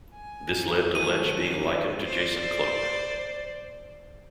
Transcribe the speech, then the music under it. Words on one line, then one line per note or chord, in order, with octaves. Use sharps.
This led to Letch being likened to Jason Cloke.
G#5
D#3 F#3 A3 D#7
C#4
C5 D5